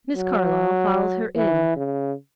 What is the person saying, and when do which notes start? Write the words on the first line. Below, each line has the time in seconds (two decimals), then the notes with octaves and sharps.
Miss Carlyle followed her in.
0.17 F#3
1.36 E3
1.77 C#3